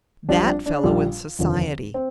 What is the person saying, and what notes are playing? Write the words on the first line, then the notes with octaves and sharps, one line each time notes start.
"That fellow in Society!"
A#1 A#2 G3 D4
C4
D4
D4
A#1 A#2 G3
F1 D#2 D3 F3
C4